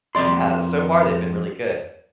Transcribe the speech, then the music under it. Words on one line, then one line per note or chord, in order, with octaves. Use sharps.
yeah, so far they've been really good.
F2 D#3 D5 C6